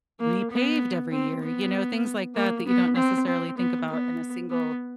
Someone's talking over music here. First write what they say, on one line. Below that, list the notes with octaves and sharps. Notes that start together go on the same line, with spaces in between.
repaved every year," you know, things like that, that you don't necessarily think about in a single-unit
A#3
B3
C4
B3
A#3
B3
C4
C4
B3
B3
B3